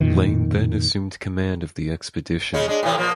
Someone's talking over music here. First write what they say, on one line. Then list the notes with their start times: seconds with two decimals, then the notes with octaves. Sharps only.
Lane then assumed command of the expedition.
0.01 F2 A#2 D#3
2.53 C#3 G#3 C#4
2.68 G#3 D4
2.83 A2 C3 E3
2.97 A#2 F3 A#3